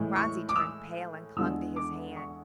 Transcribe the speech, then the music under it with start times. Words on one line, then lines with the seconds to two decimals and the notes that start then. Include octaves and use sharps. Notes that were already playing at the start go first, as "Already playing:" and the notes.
Phronsie turned pale and clung to his hand.
Already playing: A2 E3 G#3
0.16 C#6
0.49 D6
0.56 E6
1.36 E2 D3 G#3 E6
1.76 D6
2.16 C#6